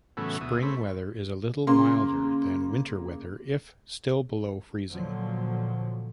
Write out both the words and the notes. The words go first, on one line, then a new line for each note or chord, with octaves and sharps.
Spring weather is a little milder than winter weather if still below freezing.
A2 C#3 E3 F#3 A3 B3
D2 B2 E4 D#6
A3 C4 C#4 B5
C#3 A#3 C6
A#2 D3 F3 F#3